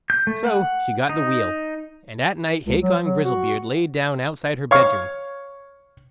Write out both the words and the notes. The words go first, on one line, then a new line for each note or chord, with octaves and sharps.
So she got the wheel, and at night Hacon Grizzlebeard lay down outside her bedroom.
G6
A3
F#5
D#4
C#2
F#3
F#3
F#4
C#5 F5 C#6